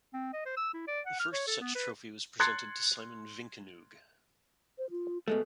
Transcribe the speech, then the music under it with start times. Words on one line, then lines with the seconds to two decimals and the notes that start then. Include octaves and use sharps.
The first such trophy was presented to Simon Vinkenoog.
0.14 C4
0.34 D#5
0.46 C5
0.57 E6
0.74 E4
0.88 D5
1.06 F#5
1.20 F6
1.33 C#5
1.47 A4
1.61 B3
1.75 B4
2.40 C6 F#6 G#6 A6 C7 C#7
4.78 C5
4.90 F4
5.28 B2 G#3 A3 A4